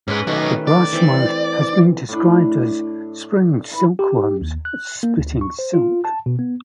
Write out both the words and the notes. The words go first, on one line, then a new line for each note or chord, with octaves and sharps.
The brush-mode...has been described as 'spring silkworms spitting silk'.
G#2 G#3 C#4 B4
D#3 F#3 A3 D#4 B4
D5
E3 C4
A2 D4
E4 B4
G4
D#2
F#6
A#3
D2
C#6
C5
F4
A5
B2
B3